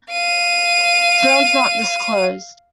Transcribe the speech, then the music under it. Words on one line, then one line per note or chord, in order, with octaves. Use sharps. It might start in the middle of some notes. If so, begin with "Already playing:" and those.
Terms not disclosed.
F5 D#7